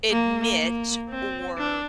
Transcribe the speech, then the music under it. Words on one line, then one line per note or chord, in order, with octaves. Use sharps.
admit or
A#3
A#3
C4
D4